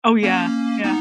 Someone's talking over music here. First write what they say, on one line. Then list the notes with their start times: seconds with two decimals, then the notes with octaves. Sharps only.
Oh yeah, yeah.
0.23 A#3 C#4
0.84 B3 D#4